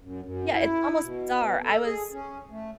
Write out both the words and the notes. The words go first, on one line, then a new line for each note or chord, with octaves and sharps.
Yeah, it's almost bizarre, I was
F#2
F#2
E4
B2
A4
G#4
C#4
A3